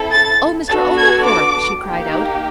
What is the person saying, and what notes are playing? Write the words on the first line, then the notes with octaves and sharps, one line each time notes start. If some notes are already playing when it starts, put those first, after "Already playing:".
"Oh, Mr. Oglethorpe!" she cried out.
Already playing: C4 E4 A4
A6
B3 D4 F#4 A4 A6
G#6
D6
A#3 D#4 G4